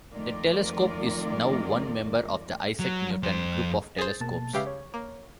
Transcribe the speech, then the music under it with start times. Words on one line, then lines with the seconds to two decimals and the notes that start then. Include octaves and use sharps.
The telescope is now one member of the Isaac Newton Group of Telescopes.
0.13 F2 D#3 A3 F4 A#4 D5
2.79 F#3
3.23 F2 C5
3.98 G#4 C5 A6
4.21 B2 A#3 A5
4.53 C#3 G#3 G4 B4 E5 F5
4.67 C#5
4.94 A#3